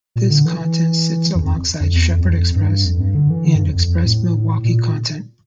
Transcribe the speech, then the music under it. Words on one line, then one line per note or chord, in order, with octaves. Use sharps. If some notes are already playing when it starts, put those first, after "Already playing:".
This content sits alongside "Shepherd Express" and Express Milwaukee content.
A#2
D3
E3
F2
F2
F2
E2
F2
F2
G2
F2
G2
D3
E3
D3
G2
F2
F2
A2
A#2